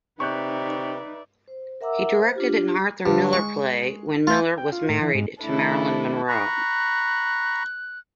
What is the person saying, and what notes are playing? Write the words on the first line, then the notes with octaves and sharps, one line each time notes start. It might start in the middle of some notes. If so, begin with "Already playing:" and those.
He directed an Arthur Miller play when Miller was married to Marilyn Monroe.
C3 D#4 B4 D5 E5 C#6 F#6 G6
C5
A#4 E5 F#5 A#5 D6 E6
C5
D4 F4 G4
G2 D3
G#3 C#6
A3 F4 G6
G5
F4
A2
E3
G#2
D#3 A3 D4 E4 A4
A#5 B5 C#6 F#6